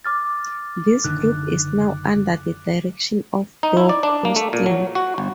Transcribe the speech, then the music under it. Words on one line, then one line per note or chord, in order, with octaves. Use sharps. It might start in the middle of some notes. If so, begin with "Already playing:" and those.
This group is now under the direction of Doug Austin.
D6 F6 A6
F#1 D3 D#3 F#6
D#4
E4
D5
D4
A#3
A3
A#2
F#3
F#4
G1